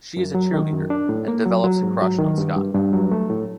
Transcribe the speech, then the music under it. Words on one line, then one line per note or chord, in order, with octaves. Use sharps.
She is a cheerleader and develops a crush on Scott.
F#2
F#3
D#3
F#2
D4
A2
A#3
F#3
F#3
G#2
F#3
D#3
G2
G2
G2
F#3
A3
A2